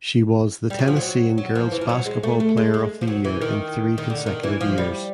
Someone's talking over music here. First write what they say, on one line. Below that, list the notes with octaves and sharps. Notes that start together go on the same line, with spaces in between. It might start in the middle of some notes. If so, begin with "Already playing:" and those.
She was "The Tennessean" girls basketball player of the year in three consecutive years.
G3
F#3
F3
F#3
F#3
F3
E3
F3
F#3
G#3
A3
A3
G#3
G#3
F3
F#3
E3
D#3
D#3
D3
D#3
E3
F3
G3